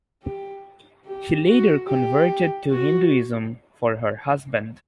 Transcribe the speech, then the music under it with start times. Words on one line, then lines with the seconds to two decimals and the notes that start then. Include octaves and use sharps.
She later converted to Hinduism for her husband.
0.22 G4
1.05 G4
1.47 F#4
1.87 G4
2.70 F#4